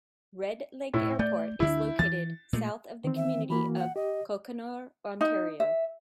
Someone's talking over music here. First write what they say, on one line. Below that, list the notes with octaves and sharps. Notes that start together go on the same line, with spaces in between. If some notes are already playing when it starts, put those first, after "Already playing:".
Red Lake Airport is located south of the community of Cochenour, Ontario.
A2 E4
A3 D5 G6
D2 D3 D4 E4
E3 A6
A#2 G#3 A3
D#3 E3 C4
E5
E3 A#3 F#4 B5
F#5
G4 D#5
D#4
E5